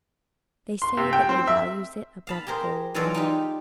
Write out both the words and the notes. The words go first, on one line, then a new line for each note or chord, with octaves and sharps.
They say that he values it above gold.
C6
C3
G5
C4
E5
F5 A5 B5
G4 G#4 A#4 C5
E3 F#3 G#3 F4 A4 D5
D#4 F4 G4